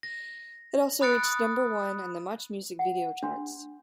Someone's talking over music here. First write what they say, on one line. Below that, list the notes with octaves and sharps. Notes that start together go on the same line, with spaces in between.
It also reached number one on the MuchMusic video charts.
A#6
B5 D#6 F#6 A6 C#7 D7
D#6
F#5
D4 C6